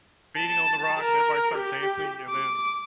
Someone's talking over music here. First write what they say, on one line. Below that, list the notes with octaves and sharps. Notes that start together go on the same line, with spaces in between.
beating on the rock and everybody starts dancing and then
A5
A#4
G4
D6